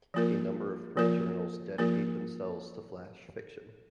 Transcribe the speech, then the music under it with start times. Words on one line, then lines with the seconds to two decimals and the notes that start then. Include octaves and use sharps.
A number of print journals dedicate themselves to flash fiction.
0.14 F3 A#3 F4 A#4
0.97 F3 A#3 F4 A#4
1.78 F3 A#3 F4 A#4